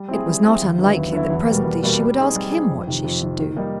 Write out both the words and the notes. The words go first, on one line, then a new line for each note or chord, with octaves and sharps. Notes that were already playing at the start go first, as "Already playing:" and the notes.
It was not unlikely that presently she would ask him what she should do.
Already playing: G3
C4 E4 G#4
G3
C4 E4 G#4
D#2
D3 F#3 B3 E4
D#2
D3 F#3 B3 E4
E2
B2 G3 A#3
E2
B2 G3 A#3
G3
C4 D#4 G#4
G3
C4 D#4 G#4
F2
C3 D#3
F2
C3 D#3
D#3
G3 A#3 D#4